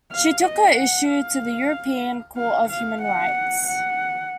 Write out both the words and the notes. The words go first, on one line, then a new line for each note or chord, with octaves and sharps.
She took her issue to the European Court of Human Rights.
F5
D#5
F#5
F5
F5
F5
F#5
F#5